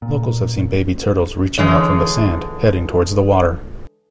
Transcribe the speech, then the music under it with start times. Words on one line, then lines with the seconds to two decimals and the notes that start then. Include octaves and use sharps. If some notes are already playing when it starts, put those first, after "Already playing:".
Locals have seen baby turtles reaching out from the sand heading towards the water.
0.02 A#2
1.58 D3 E3 G#3 C#5